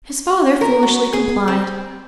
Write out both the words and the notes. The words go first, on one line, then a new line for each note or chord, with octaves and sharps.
His father foolishly complied.
A#4
F#4
G#4
C4